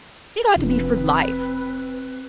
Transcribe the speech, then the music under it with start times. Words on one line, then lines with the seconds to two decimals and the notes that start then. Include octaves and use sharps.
It ought to be for life.
0.56 F1 F3 C4 D4 B4